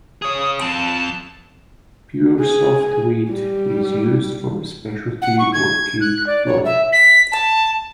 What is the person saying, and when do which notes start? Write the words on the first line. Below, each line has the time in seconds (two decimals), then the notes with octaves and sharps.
Pure soft wheat is used for specialty or cake flour.
0.22 G#4 C#5 D#6
0.61 F3 C4 A5
2.40 G#4
3.31 G3
5.22 F#5
5.39 C#6
5.53 G#6
6.00 F#6
6.26 D5
6.46 C#5
6.64 E5
6.92 B6
7.32 A5